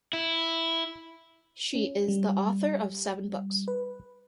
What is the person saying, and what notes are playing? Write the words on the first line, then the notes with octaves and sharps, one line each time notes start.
She is the author of seven books.
E4
C#4
G3
B4